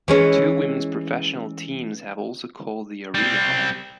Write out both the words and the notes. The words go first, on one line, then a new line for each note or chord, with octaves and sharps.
Two women's professional teams have also called the arena home.
E3 G#3 C#4
G3 C4